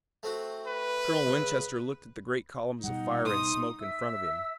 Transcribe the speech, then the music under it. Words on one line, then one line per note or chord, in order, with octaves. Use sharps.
Colonel Winchester looked at the great columns of fire and smoke in front of him.
A3 C4 F#4
B4
C#2
B2 G3 D#4 F#5
C6 D#6
E5 E6